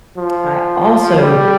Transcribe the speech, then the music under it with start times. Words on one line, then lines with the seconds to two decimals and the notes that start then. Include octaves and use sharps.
I also
0.17 F3
1.19 G3